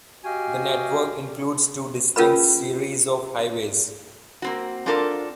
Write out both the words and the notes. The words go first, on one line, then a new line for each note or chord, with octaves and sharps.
The network includes two distinct series of highways.
F#4 G4 D#5 F5 G5 G#5
C#4 F4 A#4 B4 B5
A#3 C4 F#4
C4 D4 F4 A4 A#4 D5